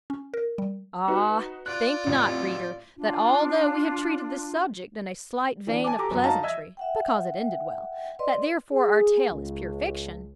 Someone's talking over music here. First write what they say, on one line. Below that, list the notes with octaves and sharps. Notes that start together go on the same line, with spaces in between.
Ah! think not, reader, that although we have treated this subject in a slight vein of pleasantry, because it ended well, that therefore our tale is pure fiction.
C#4
A#4
G3
D#4 F#4 B4
F4 D5 F#6
A1 F2
D4 F4
E3 D4
G#5 A5 D6
G4 A4 A#5 D6
F#2 F#3 B3
D#4 F#4 F5 A5 A#5
D#5 E5 E6 G#6
E5 F#5 G5
B4 D5 D#5 C6
G#4
C#2